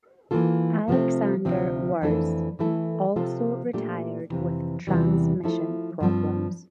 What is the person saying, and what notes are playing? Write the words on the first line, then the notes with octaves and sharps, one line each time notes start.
Alexander Wurz also retired with transmission problems.
E3 A#3 F4 A4
C3 F3 A3 C4
D2 C3 F3 C4
F2 E3 A3 D4 A4
E3 A3 E4 A4
C3 F3 C4 F4 A4
A#2 A3 D4 G4
F2 C3 E3
E2 C3 E3 G3
F3 A3 E4 A4
G2 F3 C4